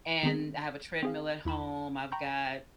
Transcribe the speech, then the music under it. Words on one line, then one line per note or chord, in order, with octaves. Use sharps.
and I have a treadmill at home, I've got
D#3 G#3 B3 C4 D#4 G#4
C4 G#4 F5
E2 E4 B5 E7
G5 A#5 B5 C#6 G6